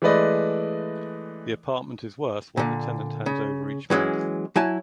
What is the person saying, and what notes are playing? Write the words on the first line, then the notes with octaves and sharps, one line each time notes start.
The apartment is worth what the tenant hands over each month.
E3 G#3 A3 B4 D5 D#5
A#2 D3
C#3
E3 F#3 G#3 C#4
F#3 E4 G#5 A5